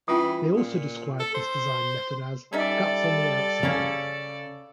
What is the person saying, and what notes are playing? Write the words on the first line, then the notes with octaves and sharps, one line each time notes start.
They also described this design method as "guts on the outside".
E3 C#4 F4 D#6
A#2
A4
C5
G3 C#4 D#4 A4 D5 E5
C#3 A#3 C#4 F5